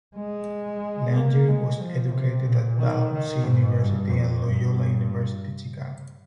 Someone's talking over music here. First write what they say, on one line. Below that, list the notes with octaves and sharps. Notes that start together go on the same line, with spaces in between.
Langer was educated at Dalhousie University and Loyola University Chicago.
G#3
A#3
G#3
F3
C3
A#2
D#3
D#3
G#2
G2
F2
G2